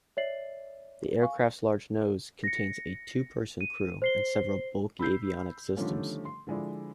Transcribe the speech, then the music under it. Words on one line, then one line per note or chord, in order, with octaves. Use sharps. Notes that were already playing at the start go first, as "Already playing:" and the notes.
The aircraft's large nose contains a two-person crew and several bulky avionics systems.
C#5 D5 E5 A6 C7 F#7
F5 G#5 C#6
A#6 C#7
D#7
C5 C7 G7
B5 E6 G6 C7
D3 D#3 F3 G3 A3 C#4
C6
D3 F3 G#3 E4 D5